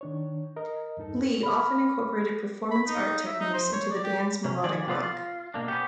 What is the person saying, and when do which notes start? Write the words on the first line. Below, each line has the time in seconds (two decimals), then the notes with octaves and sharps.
Lee often incorporated performance art techniques into the band's melodic rock.
0.01 D#3 D4 C#5
0.56 A#4 D#5
0.97 E2 G2 D#4 A4
1.43 B5 F6
2.71 B5
2.87 D#4
3.27 E5
3.40 D#4
3.54 C5
3.73 C#5
3.91 D5
4.04 G4
4.44 C3 C#4
4.64 D#3 D5 G#5
4.87 C3 B3 F4 D5
5.03 F4
5.54 B2 A#3 D4
5.68 B3 C#4 G4